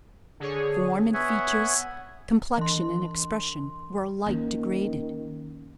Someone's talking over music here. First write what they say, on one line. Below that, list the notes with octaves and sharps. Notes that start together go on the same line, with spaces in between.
Form and features, complexion and expression, were alike degraded.
D3 G#4 C#5
B3 C#5 E5 F#5 G#5
E3 C6
D#3 A#3 C#4